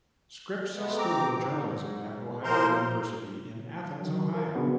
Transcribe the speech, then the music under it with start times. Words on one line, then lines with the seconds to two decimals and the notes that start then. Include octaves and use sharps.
Scripps School of Journalism at Ohio University in Athens, Ohio.
0.76 G#3 A3 B3
0.97 C4 A#5 D6
1.31 G#2
2.44 A2 F3 A#4 C5 A#5 C6
4.02 D#3 F#3
4.34 A#4
4.55 C#3 B3 D4 F#4 G#4